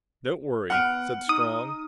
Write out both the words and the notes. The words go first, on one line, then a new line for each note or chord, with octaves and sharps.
"Don't worry," said Strong.
B3 F#5 F6 D7
D#4 D#6